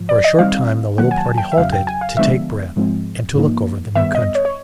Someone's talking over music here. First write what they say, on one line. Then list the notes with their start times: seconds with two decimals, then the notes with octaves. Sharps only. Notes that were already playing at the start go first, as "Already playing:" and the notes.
For a short time the little party halted to take breath and to look over the new country.
Already playing: G#2 F3
0.09 D5
0.24 D#5
0.39 D#3 G3 C4 D#4 F5
0.98 D#3 F#3 A#3 F#5
1.11 G#5
1.17 A5
1.38 G5
1.52 E5
1.57 E2 C#3 F#3 F5
1.72 G5
1.87 G#5
2.01 F5
2.17 D3 F3 G#3 B3 D4 E5
2.76 G#2 F3 G#3 C4
3.35 G#2 F3 A#3 D#4
3.95 G2 D#3 G3 B3 E5
4.15 D#5
4.35 C#5
4.45 C#5